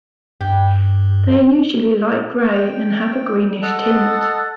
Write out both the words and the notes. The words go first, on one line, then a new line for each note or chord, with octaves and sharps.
They are usually light gray and have a greenish tint.
G2 G4
G5
A4 D#5 F#5